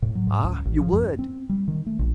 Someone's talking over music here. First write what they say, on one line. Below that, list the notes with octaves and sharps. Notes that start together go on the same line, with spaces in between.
Ah, you would?
A2
F#3
G#2
C#2
A1
F3
F#2
C4
G3
D#3
A3
A#1